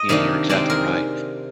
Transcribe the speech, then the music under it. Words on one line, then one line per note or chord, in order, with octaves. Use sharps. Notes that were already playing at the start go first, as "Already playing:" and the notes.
Yeah, you're exactly right.
Already playing: D#5
C3 D#3 A#3 D4
D#3 G#3 C4 D5
A#4